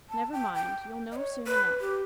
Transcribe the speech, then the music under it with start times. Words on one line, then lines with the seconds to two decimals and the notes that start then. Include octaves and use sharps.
'Never mind; you'll know soon enough.
0.09 A5
0.33 G5
0.55 G5
1.12 D#5
1.16 C#5
1.46 B4
1.80 G4